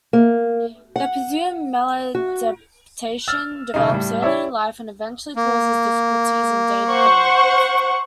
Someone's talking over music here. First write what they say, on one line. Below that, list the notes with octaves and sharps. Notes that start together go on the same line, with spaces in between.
The presumed maladaption develops early in life and eventually causes difficulties in day-to-day life.
A#3
F#5
F#4
E6 F6 A6
E1 C#3 D#4
A2 G3
E4 G4 C#5 D5 E5
A#3
C5 F#5 C#6